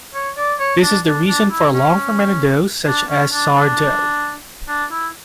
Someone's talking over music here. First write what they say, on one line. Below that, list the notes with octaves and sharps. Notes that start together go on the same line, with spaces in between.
This is the reason for long fermented doughs such as sour dough.
C#5
D5
C#5
D4
D4
D4
E4
C#4
D4
C#4
D4
D4
D4
E4